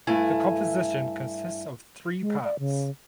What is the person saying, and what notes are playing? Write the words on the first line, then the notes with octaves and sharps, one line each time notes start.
The composition consists of three parts.
G2 A3 E4 G#5
G#3
D5
C#3